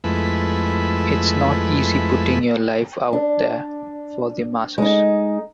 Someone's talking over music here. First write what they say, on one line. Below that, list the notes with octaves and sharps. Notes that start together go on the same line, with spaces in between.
It's not easy putting your life out there for the masses.
F2 G#3 A3 E4 B4
D4
G#3 D#4